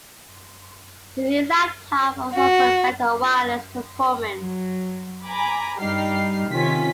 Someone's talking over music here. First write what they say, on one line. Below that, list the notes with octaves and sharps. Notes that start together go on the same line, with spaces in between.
The new laptop also offered better wireless performance.
F#4
F#3
G#5 A#5 B5 D6
G2 G3 D#4 G4 F6 C7
C3 D#3 C#4 F4 B6